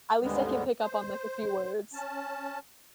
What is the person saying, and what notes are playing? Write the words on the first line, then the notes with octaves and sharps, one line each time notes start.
at least I can pick up on like a few words
D#2 G#2 D3 G3 G#3 B3
C5
C#4 A5